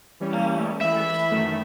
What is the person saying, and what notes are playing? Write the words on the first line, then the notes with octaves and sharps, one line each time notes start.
um, which
E3 G3 C#4
E3 E5 B5
F#2 D#3 A3